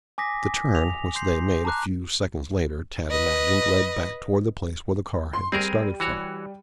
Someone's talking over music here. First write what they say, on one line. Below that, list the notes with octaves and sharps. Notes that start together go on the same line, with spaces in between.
The turn which they made a few seconds later, Tad imagined, led back toward the place where the car had started from.
G#5 D6 D#6 A#6 B6
F7
C6 G6 C7
A5 A#5 D6 F#6
B4 D#5
C6
G3 C4 G#4 A#4 D#7
E3 F#4 C#5